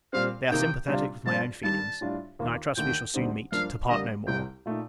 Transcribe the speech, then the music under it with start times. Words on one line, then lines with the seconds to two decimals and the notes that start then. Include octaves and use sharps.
They are sympathetic with my own feelings; and, I trust, we shall soon meet, to part no more!
0.13 A#2 G3 C4 F5
0.50 C3 D#3 A#3 D#4 G5
0.88 C3 G3 D4 F4
1.26 G2 F3 C4 A5
1.64 G2 D#3 G3 A5
2.01 A2 G3 D4 F4
2.39 D#2 D#3 A#3 F4
2.77 D#2 D3 A3 G5
3.14 D2 D3 G3 C4 D#4
3.52 G2 F3 A#3 D4 F5
3.89 D3 G3 A#3 D#5
4.27 C2 C3 G3 G5
4.65 A#2 A3 D#4